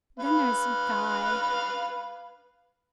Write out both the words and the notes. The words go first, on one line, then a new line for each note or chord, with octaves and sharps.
Then there's Guy.
B4 F5